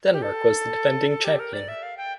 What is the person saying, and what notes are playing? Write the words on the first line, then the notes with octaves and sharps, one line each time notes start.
Denmark was the defending champion.
G4
A4
A4
G4
A#4
D5
E5
F5
G5